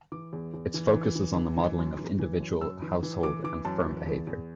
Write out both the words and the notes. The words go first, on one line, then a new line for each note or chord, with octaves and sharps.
Its focus is on the modelling of individual, household and firm behaviour.
E3 D6
E2
E2
E3
E3
E3
E3
E3
F#2
E3
E3
F#2
F#2 E6
E3
E3
E3 D6
E3 D6
F#2 A5
E3
E2
E2